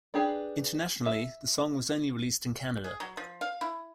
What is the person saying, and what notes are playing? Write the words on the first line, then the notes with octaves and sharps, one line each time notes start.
Internationally, the song was only released in Canada.
D4 G4 G#4 B4
E5
G#4
F#3
F3
F5
E4